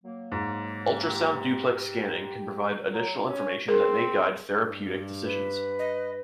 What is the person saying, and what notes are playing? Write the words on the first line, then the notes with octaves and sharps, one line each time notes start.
Ultrasound duplex scanning can provide additional information that may guide therapeutic decisions.
F#3 A#3
G#2
G4
F#3
C#4
C4 G#4 A#4
G2
B4
D#5